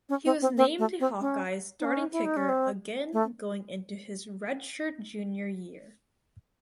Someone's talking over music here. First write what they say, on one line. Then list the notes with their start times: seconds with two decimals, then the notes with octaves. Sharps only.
He was named the Hawkeyes starting kicker again going into his redshirt junior year.
0.09 C#4
0.25 C4
0.41 C4
0.57 C4
0.79 A3
1.00 C4
1.21 C#4
1.80 D#4
1.85 C#4
2.12 E4
2.25 D#4
2.37 C#4
2.49 C4
3.13 A3